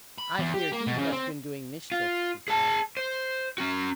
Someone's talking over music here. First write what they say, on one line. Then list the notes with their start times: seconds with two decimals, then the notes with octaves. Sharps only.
"I fear he has been doing mischief," she said.
0.18 B5
0.39 E2
0.54 G4
0.73 A#3
0.88 B2
0.99 C#3
1.12 C4
1.92 F4
2.48 G#4 A5
2.97 C5
3.58 C#4 F#4